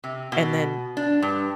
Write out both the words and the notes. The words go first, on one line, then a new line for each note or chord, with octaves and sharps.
and then
C3
B2
D4
G2